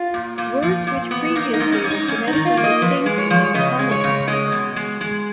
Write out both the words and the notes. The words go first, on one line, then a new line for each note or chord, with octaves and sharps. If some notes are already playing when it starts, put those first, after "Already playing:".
Words which previously were phonetically distinct became homophones.
Already playing: F4
A#2
A#2
F3
A#2
B3
A#3 D#4
D#4
G#2
C#4
G#2
D#4
G#2 C#4
D#4
D#3
F4
A#3
D#5
F3 B4
G#3
C#5
F3
C#3 D#5
G#3
C#5
C#3
G#3 D#5
B2
G#3
G#3